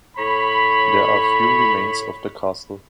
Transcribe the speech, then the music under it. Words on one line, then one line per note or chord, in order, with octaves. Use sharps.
There are few remains of the castle.
A2 C#5 B5